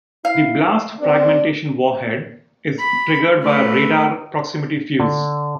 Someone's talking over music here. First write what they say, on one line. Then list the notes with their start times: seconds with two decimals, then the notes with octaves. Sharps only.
The blast-fragmentation warhead is triggered by a radar proximity fuze.
0.25 E4 F5
1.00 G2 A#3 C4 D4
2.79 B5
3.41 A3 B4
5.00 D3